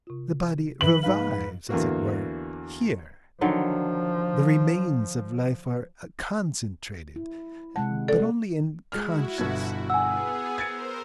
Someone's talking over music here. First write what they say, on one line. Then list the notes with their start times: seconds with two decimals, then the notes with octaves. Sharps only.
The body revives, as it were, here, the remains of life are concentrated, but only in consciousness.
0.07 C3 F4
0.81 F3 B4 E5 F#7
1.03 G#2 B4 F5
1.69 E2 D3 A#3 F#4
3.41 D3 D#3 F3 F#3
7.16 E4
7.76 C3 G#3 F#5 A5
8.08 A4 D5
8.92 G#3 E4 F#4 F6
9.38 G1 B2 G#6
9.90 B3 G#4 F#5 G#5 E6
10.58 A#4 C5 G#6 A6 C#7